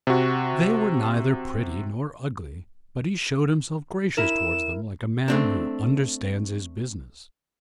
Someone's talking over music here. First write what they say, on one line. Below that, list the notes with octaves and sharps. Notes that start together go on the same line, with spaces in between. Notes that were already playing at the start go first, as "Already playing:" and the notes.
They were neither pretty nor ugly, but he shewed himself gracious towards them like a man who understands his business.
C3 F#4
E4 A#4 E7
A3 C4 D4